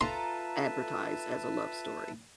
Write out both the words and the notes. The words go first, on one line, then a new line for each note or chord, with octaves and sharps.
advertised as a love story,
F4 A4 B4 E5 A5 A#5 C6